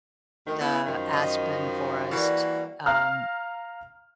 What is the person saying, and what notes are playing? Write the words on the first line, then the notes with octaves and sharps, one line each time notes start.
the aspen forest, um,
D2 D#3
B3 E4
F#2 D#3 F3
D#4
E3 G3 A#3 F#4
F5 A#5 F6